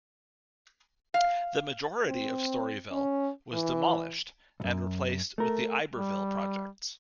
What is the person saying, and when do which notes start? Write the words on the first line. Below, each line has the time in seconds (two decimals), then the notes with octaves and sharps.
The majority of Storyville was demolished and replaced with the Iberville Projects.
1.14 F5
2.07 C4
2.91 C#4
3.53 E3
4.60 B1 F#2
5.38 A3 A#4
5.95 G3